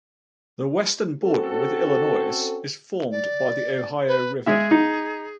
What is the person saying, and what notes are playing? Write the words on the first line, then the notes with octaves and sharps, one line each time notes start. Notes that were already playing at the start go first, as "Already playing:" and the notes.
The western border with Illinois is formed by the Ohio River.
C4 C#4 F#4 A4
D5
B4
G#3 G#4 E5
D#4